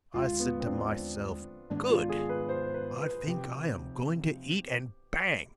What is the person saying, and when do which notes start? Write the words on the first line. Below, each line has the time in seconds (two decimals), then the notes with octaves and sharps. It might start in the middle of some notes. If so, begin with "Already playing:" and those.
I said to myself, 'Good.' I think I am going to eat, and bang!
0.14 D#2 D3 G#3 F4
0.40 B3
0.60 C4
0.66 D4
1.70 G#2 D#3 G#3 B3 D4
1.89 F4
2.09 G#4
2.29 B4
2.49 C5
2.74 B4
3.01 B4
3.27 C3 F3 C4 G4